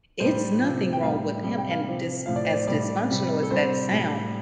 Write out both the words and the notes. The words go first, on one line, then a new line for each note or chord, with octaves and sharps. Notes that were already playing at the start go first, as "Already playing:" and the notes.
it's nothing wrong with him and dys as dysfunctional as that sound,
A2 G3 C5
C3 F3
G5
A2 G3 F5
C3 G3
G5
F5
C3 F3
A2 F3 F5
D5
C5
D5
A2 G3 D5
C3 G3
A4
C3 G3 C5
A2 G3